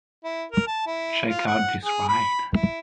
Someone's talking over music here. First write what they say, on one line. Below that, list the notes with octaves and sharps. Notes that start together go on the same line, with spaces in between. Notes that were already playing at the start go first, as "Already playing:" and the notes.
Check Out This Ride!
E4
A#4
A5
E4
F4
F#5
G#4
B5
E4